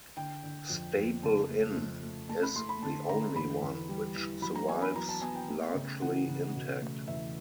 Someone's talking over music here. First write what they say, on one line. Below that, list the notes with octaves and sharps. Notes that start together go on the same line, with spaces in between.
Staple Inn is the only one which survives largely intact.
D3 G5
D3
F2
F2
C#3 A5
A3
F2
A3
A3 A5
B5
A3 C6
B5
D3 A5
D3 A#5
E2 B5
E2
G3
E3
F#3 B5
A#5
B3 G#5
B5
F#3 A#5
A5
B3 G#5
G5
A3
C#3
E3 F#5
C#3
B2
A3
E2 E5